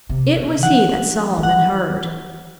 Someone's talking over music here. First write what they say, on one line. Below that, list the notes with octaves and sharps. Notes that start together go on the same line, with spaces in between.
It was he that Solomon heard.
C3
B2
F3 F#5
F3
E3 F#5